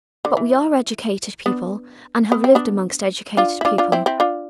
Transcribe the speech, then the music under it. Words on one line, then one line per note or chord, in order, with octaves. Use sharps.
But we are educated people, and have lived amongst educated people.
D3
E3
B3 D4
B3
C4
B3 D4
D4 F4
E4
D4 F4
D4 F4
C4 E4
C4 E4
D4 F4